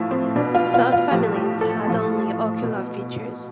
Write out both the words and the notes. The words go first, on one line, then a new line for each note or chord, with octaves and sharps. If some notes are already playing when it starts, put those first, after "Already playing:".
Both families had only ocular features.
Already playing: A2 F3 E4
C4
B2 D4
F4
F4
F4
A2 F3 G4
G4
A4
A2 F3
B2